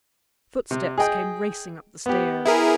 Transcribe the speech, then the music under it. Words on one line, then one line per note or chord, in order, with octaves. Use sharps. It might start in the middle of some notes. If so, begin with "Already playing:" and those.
Footsteps came racing up the stairs.
C3
G#4 D#5 G5
B3 G4
E4 G#4 A#4